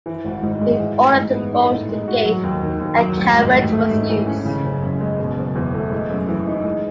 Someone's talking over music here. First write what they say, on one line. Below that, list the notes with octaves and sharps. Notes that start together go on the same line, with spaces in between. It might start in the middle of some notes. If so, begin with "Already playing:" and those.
In order to bolt the gate, a carrot was used.
E3
G#1
G#2
G#3
E3
A1
G#2
B3
D#4
A2
G#3
F#4
F#3
D#2
D#3
D#2
F#3
A1
G#2
A1
A3
G#2
E3
C#4
C#3
F#1
F#2
G#3
B2
F#1
E2
A3
G#3
F#2
E3
D#4
G#3